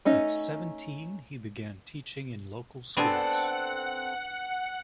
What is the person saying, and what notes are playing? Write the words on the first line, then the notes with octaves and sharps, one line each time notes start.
At seventeen he began teaching in local schools.
A3 C#4 D#4
B3 C4 D4 A4 F#5 G#5